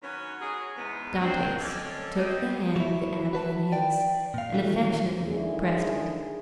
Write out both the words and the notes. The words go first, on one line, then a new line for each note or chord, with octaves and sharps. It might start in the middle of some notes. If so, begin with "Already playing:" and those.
Dantes took the hand of the abbe in his, and affectionately pressed it.
D#3 F#3 B3 C#4
F#3 G#4
E2 G#2 B3
C4 D4
C4 C#4 A4 D5 D#5 F5
B3 C4 G4 D#5
F#3 E4
F#4 B4 A5
D5 G5
A#2 F5
D#3 E3 F#3 A3 C#4 F#4
D3 D#3 G#3 E4 G#4